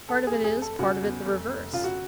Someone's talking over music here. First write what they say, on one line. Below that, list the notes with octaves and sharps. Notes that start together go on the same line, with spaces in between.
"Part of it is, part of it the reverse."
E2 A4
G#4
F1
G#4
F1
A4
C#3 F#4
E2
F1
F1
C#3 F4
F#4